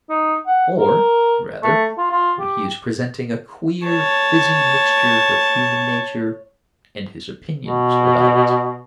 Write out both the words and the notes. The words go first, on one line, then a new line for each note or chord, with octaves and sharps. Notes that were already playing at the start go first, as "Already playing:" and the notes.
Or, rather, when he is presenting a queer fizzing mixture of human nature and his opinions about it.
D#4
F#5
A#4
A3
F4
F4
G4
C#5 A5
B2